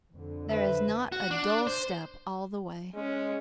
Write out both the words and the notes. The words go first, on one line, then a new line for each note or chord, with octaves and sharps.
There is not a dull step all the way.
F2 D3
B4 C5 E5
F#4
D4
C5
G#3 C#4